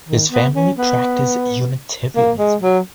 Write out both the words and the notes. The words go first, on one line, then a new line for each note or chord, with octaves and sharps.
His family practiced Unitarianism.
D#3
B3
C#4
B3
A#3
G#3
F#3